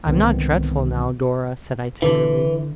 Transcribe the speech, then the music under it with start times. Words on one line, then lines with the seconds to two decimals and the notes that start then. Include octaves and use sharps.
'I am not dreadful now, Dora?' said I, tenderly.
0.05 C2 G#2 D3 D#3 B3 C4
2.02 D3 E3